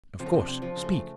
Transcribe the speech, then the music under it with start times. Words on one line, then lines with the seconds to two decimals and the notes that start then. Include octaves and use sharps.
"Of course, speak."
0.20 C3 F3
0.26 C#3
0.34 C3
0.41 D4
0.48 C3
0.62 F3
0.76 C#3
0.83 A3